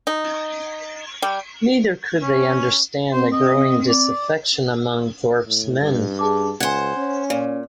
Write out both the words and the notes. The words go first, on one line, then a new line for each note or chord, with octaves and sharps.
Neither could they understand the growing disaffection among Thorpe's men.
D#4
G3
C#4
C4 C5
D#5
D5
A2
G2
G#4 A5 D6
C#2 C5 F#5 G#5 G#6
C#4
A#2